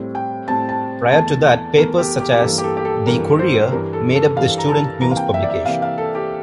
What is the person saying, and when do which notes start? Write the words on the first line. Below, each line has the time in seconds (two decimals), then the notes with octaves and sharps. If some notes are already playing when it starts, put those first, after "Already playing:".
Prior to that, papers such as "The Courier" made up the student news publications.
Already playing: A2 G3 C4
0.15 G5
0.48 A2 G3 C4 A5
0.69 A5
1.12 E2 E3 A3 A5
1.77 E2 E3 A3 A#4
1.98 G4
2.20 G4
2.34 G4
2.41 G2 E3 A#3 A4
2.58 G4
2.64 A4
2.77 G4
2.85 A4
3.06 G2 E3 A#3 A#4
3.39 C5
3.72 G2 E3 G3 A#4
3.93 A4
4.15 A4
4.36 G2 E3 G3 F5
4.58 A#5
4.69 A5
5.01 C3 E3 A#3 A#5
5.11 F5
5.17 G5
5.34 E5
5.43 D5
5.50 E5
5.65 C3 E3 A#3 F5
5.82 F5
5.98 A4
6.15 G4